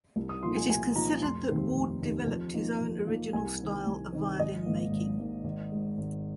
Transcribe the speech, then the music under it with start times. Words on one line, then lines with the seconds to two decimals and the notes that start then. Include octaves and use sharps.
It is considered that Ward developed his own original style of violin making.
0.16 C2
0.29 D#6
0.43 A#2 F3 A#3 D#4 C6
0.56 G#5
0.69 C2 G#5
0.96 A#2 F3 A#3 D#4 A#5
1.22 F1 C6
1.48 D#2 D#3 C4 D#4
1.75 F1
2.02 D#2 D#3 C4 D#4
2.27 F2
2.54 F3 A#3 D#4
2.81 F2
3.07 F3 A#3 D#4
3.33 C2 G#5
3.60 C3 D#3 C4
3.86 C2
4.12 C3 D#3 C4
4.39 G#1 D#5
4.66 G#2 D#3 A#3
4.91 G#1
5.18 G#2 D#3 A#3
5.44 G#1
5.72 G#2 G#3
5.98 G#1